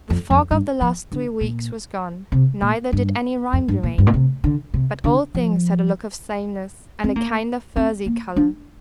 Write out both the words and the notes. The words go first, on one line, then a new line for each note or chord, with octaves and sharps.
The fog of the last three weeks was gone, neither did any rime remain; but all things had a look of sameness, and a kind of furzy colour.
F2
F2
G2
F3
D3
A#2
C3
A#2
G2
F2
G2
A#2
G2
A#2
C3
D3
C3
D3
F3
C4
A#3
C4
A#3
D4